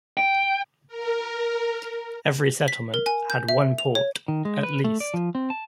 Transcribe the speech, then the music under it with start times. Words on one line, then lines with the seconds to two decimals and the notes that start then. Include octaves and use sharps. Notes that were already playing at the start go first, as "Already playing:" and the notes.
Every settlement had one port, at least.
0.17 G5
0.88 A#4
2.68 B6
2.94 A#4
3.06 G#5
3.30 G6
3.49 E5
3.78 F7
3.95 C#5
4.28 D#3
4.45 G#3
4.63 B4
4.84 A3
5.00 D5
5.14 F3
5.35 C4
5.50 A5